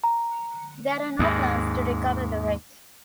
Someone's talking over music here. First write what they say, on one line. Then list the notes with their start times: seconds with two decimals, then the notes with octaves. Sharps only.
There are no plans to recover the wreck.
0.04 A#5
1.19 D#2 G#2